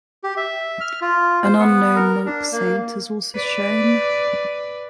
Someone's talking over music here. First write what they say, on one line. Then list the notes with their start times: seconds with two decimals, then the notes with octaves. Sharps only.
An unknown monk saint is also shown.
0.24 G4
0.37 E5
0.81 F6
1.01 F4
1.44 C5
1.59 B3
1.96 A#4
2.26 D4
2.52 A#3
3.35 B4 D5